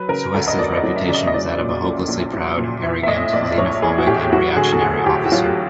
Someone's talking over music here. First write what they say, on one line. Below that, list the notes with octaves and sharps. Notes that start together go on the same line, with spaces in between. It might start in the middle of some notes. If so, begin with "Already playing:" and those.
Cuesta's reputation was that of a hopelessly proud, arrogant, xenophobic, and reactionary officer.
Already playing: F#3 B4
C#3 A#4
D2 A4
D#5
D2 D5
D#5
F#3
E5
C#3 D5
D#5
D#5
F#3 D5
A#2
A#1
A#1
F#3
A#2
E3 E5
E5
A2 D#5
A#1 D5
A#1 C#5
E3 G#4
F#4
A2 G4
F#3 F#4
D3 G#4
A4
D2 G#4
D2 G4
F#4
F#3 F4